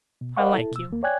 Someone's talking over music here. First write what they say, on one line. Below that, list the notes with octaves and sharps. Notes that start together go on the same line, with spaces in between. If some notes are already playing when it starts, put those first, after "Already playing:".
I like you.
B2
A#4 C5 D#5 F5 F#5 C#6
E4 A4
B2 E6
D#2 A#3
C#5 D5 G5 G#5 F#6 G#6